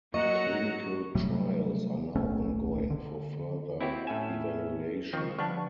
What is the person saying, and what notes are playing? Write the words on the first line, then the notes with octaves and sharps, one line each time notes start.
Clinical trials are now ongoing for further evaluation.
F#3 A#3 D#5 F#5 A#5 C#6
C3 F#3 G3 A3
D1 B1 A3 C#4
D3
C4 E4 F#4 G4
A2 C#4 E5 G#5 E7
D#3 F3 C4 C5 C#6
D3 F3 G3 B3 D4 A5 C#6